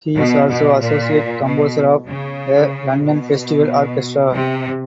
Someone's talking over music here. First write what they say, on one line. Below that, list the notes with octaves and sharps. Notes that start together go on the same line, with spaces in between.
He is also Associate Composer of the London Festival Orchestra.
B2
B2
A#2
B2
C#3
B2
C3